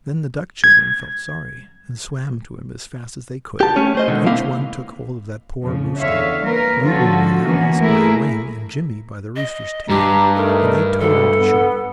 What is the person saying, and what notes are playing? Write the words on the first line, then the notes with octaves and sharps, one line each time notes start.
Then the duck children felt sorry, and swam to him as fast as they could. Each one took hold of that poor rooster; Lulu and Alice by a wing, and Jimmie by the rooster's tail, and they towed him to shore.
G#6
G4 A5
A3 C#4 C#5
A3 C5 D#5
B2 D3 D#3 G#3
A#3 C4 E4 F5
F2 C#3 F3
E2 D3 C#5 E5 F5
A#3 A#4 B4
D3 F3 C#4 F4 F#4 A4
E3 A#3 B3 C#4 F#4
A3 A#3 E4 G#4 A#4
D#5
G2 G4 A5 A#5
G3 A3 D#4 A#4
D2 G#2 A4
B3